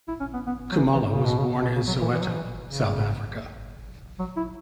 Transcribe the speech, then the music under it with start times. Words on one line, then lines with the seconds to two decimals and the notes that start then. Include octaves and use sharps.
Kumalo was born in Soweto, South Africa.
0.08 E4
0.20 C#4
0.33 B3
0.47 B3
0.72 F#3
0.77 E3
0.94 E3
1.11 C#3
1.25 B2
1.38 C#3
1.62 B2
1.76 C#3
1.87 F#3
2.01 E3
2.13 E3
2.21 F#3
2.30 E3
2.65 C#3
4.19 F#3
4.37 E4